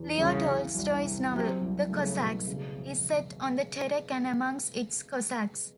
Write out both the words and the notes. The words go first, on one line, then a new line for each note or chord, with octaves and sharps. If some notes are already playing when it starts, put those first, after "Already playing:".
Leo Tolstoy's novel "The Cossacks" is set on the Terek and amongst its Cossacks.
Already playing: E2
C2 C#3
C2
C2
C3
C3 F#3
C2
C#3 A3
B2
C#3
F1